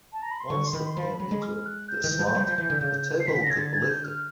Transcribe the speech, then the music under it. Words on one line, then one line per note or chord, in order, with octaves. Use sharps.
Once the pin entered the slot, the table could be lifted.
A5
A#5
B5
C6
D3 C#6
C6
D#3 B5
C6
F3 B5
F#3 B5
G#3
F6
F#6
G6
D#3
E3
F3
F#3
G3
F3
E3
D3
C#3
C7
D#3 B6
D3
C#3 A#6
G#6
D3 A6
G#6
G6
F6